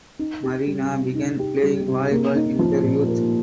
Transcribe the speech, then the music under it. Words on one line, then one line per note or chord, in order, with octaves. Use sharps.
Marina began playing volleyball in her youth.
D#4
G4
G3
C3
D#4
G4
G3
C3
A#3
D#4
F3
A#2
A#3